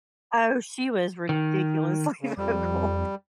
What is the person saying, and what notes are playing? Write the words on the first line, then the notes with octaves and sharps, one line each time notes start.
Oh, she was ridiculously vocal,
D#3
C#3
F2 G3